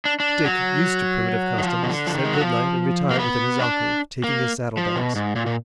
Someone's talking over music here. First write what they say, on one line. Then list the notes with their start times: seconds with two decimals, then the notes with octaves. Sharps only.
Dick, used to primitive customs, said good-night and retired within his alcove, taking his saddle bags.
0.05 D4
0.20 D4
0.45 F#3
1.58 D#3
1.63 F3
1.83 B2
1.89 D3
2.07 F3
2.15 D#3
2.25 G#3
2.33 F#3
2.41 F3
3.11 A#3
3.19 B3
3.59 D4
4.24 A#3
4.77 F3
4.96 B2
5.16 G#2
5.36 A#2
5.46 A#2